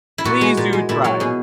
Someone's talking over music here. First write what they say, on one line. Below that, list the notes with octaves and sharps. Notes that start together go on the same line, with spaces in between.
Please do try.
E4
A#2 F#4
G#3
A#2
G#3
A#2 E4
F#3 F#4
B2 G#4